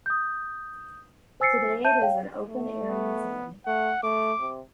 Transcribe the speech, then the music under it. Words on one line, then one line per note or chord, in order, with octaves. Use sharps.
Today it is an open-air museum.
D#6 G6
C5 G#5 E6 A6 C7 C#7
E5 A5 G6 D#7
C#5 F5 G5
A3
B3
A3 F#5
A3 D6
C3